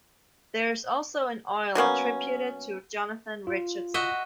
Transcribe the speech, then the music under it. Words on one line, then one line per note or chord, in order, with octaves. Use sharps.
There is also an oil attributed to Jonathan Richardson.
F#3 A#3 B3 C#4
F4
F#4 D#5 E5